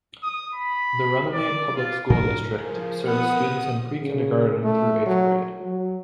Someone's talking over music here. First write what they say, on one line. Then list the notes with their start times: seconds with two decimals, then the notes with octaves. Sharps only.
The Runnemede Public School District serves students in pre-kindergarten through eighth grade.
0.23 D#6
0.54 B5
1.32 D5
1.75 F4
2.10 G#2 F3 D4 A#4
2.60 C#3 F3 A#4
3.07 B3 G#4 F#5 D#6
4.02 C#3
4.63 A3
5.06 F#3
5.60 F#3